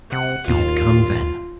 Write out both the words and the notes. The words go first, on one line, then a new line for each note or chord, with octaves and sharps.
He had come then.
C3 F#5
D#2 F4